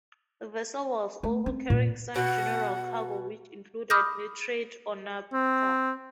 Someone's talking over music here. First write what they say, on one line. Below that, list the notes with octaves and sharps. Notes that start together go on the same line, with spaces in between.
The vessel was also carrying some general cargo which included nitrate or naphtha.
A3
C4
A#2
B2 F#5
B5 D6 D#6 F6 G6 A#6
C4